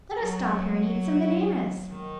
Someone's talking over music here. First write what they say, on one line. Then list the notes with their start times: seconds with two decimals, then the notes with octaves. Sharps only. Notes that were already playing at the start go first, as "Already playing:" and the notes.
Let us stop here and eat some bananas.
0.18 F#3
1.90 D#3